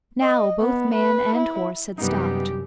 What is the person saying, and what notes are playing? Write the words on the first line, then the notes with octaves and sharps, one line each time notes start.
Now both man and horse had stopped.
D#5
B3
B4
E4
F#2 C3 E3 G3 B3 D#4 G4